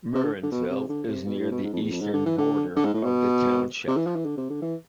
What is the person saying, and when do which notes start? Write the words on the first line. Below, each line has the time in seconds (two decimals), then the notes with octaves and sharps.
Murrinsville is near the eastern border of the township.
0.15 C3
0.24 D3
0.43 D3
0.52 B2
0.71 C3
0.89 D3
1.08 C3
1.27 B2
1.39 A2
1.51 B2
1.64 G#2
1.73 F2
1.82 E2
1.92 F2
2.01 G#2
2.13 D3
2.26 E3
2.38 D3
2.76 D3
2.85 G#2
2.94 A2
3.04 B2
3.88 C3
3.97 E3
4.06 F3
4.16 E3
4.25 D3
4.38 C3
4.50 D3
4.62 E3